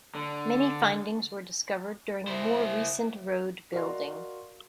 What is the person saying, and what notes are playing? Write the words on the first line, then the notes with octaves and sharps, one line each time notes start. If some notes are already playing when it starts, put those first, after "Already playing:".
Many findings were discovered during more recent road building.
D3
E4 C5
F#4 A#4 D5 D#5 F5 C6